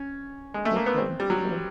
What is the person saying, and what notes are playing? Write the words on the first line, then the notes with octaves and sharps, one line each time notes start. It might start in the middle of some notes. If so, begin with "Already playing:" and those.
Okay, well
Already playing: C#4
G#3
A3
A#3
B3
C4
G3
F#3